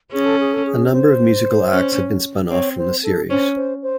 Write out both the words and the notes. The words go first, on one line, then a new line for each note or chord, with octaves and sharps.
A number of musical acts have been spun off from the series.
C#4 G#4
A4
G#4
A4
G#4
C5
C#4
C4 C#5
C5
A4
C#4 C5
C5
C5